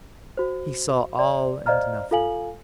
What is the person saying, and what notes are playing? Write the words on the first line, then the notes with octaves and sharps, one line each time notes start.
He saw all, and nothing.
F#4 C5
D5
C5 D5 D#5 F5 A#5 F6
F4 A4 F5 G#5 F#7